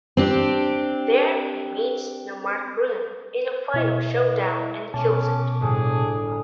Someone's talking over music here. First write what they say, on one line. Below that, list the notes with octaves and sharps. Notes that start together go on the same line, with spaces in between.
There he meets the Makron in a final showdown and kills it.
C4 D4 G4
B2 E4 D#5 E5
B2 C#4 A5 D6
G1 A2 G3 G#4